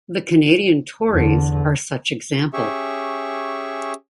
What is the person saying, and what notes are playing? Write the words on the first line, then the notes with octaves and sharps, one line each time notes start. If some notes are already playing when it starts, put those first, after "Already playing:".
The Canadian Tories are such example.
E2 D3
C#4 G4 G#4 E5 C#6